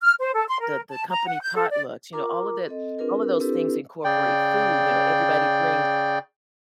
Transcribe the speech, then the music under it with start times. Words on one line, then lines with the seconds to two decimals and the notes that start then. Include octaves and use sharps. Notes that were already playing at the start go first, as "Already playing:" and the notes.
the the company potlucks, you know, all of that all of those things incorporate food, you know, everybody brings
0.02 F6
0.20 C5
0.34 A4
0.49 C6
0.61 A#4
0.89 A5
1.10 A#5
1.27 F#5
1.41 G6
1.55 A4
1.72 D5
2.13 F4 A#4 A#5 D6
2.68 C4 A4 D#5
2.98 C4 D4 F4 G#4 A#4 B4
3.40 C4 D4 E4 G4 A4 B4
4.04 C#3 D5 G5